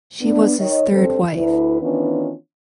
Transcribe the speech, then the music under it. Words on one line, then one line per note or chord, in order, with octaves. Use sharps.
She was his third wife.
B3 D4
D#3 C#5 D#5
G2 C4 A4 C5
D2 E4 B4
D#3 E3 B3 C#4 D4 F4